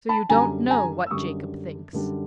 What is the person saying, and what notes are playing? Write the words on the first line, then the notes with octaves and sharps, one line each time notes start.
"So you don't know what Jacob thinks?"
A5 B5
F#2 D3 G3 G#5 A#5
G#5 A#5
E6
F#2 D3 G3 C#6 D#6
F#2 D3 G3